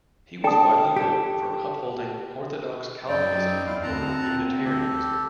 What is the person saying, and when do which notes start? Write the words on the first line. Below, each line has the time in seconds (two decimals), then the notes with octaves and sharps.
He was widely known for upholding orthodox Calvinism over Unitarianism.
0.44 D4 A4 G5 A5 D#6
0.96 G4 A4
3.08 F#2 C4 D#4 D5 G5
3.67 E2 E4 F5
3.83 D2 C4 F#5 A5 A#5
4.65 G4 A4